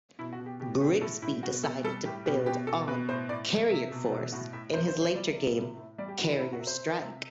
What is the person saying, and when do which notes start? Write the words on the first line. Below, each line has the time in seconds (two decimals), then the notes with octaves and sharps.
Grigsby decided to build on "Carrier Force" in his later game "Carrier Strike".
0.19 B2 E4
0.33 F#4
0.40 B2
0.46 G4
0.60 B2 G4
0.81 B2 G4
1.01 A2 A4
1.22 A2 E4
1.43 B2 F#4
1.63 B2 A4
1.84 G3 A4
2.05 A2 G4
2.26 B2 G4
2.46 B2 G4
2.67 B2 A4
2.88 B2 B4
3.09 A2 C5
3.29 A2 D5
3.50 C3
3.70 C3 E5
3.92 B2
4.12 B2
4.32 A2 F#4
4.53 A2 E5
4.74 C3 C5
4.88 C5
4.95 C3
5.02 C5
5.15 G3 D5
5.36 C3
5.57 A2
5.77 A2
5.98 G3 D5
6.08 G4
6.18 A2 F#4
6.29 E4
6.39 C3 E4
6.53 F#4
6.60 C3
6.67 C5
6.80 C3
7.02 C3